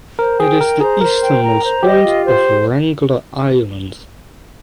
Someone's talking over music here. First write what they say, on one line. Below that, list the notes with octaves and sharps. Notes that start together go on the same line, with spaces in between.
It is the easternmost point of Wrangel Island.
A#4 C5
G#4 G5
A#4 A#5
G#4 C5
A#4 C5
G5
A#5
C5
G4 D#5
F4
C5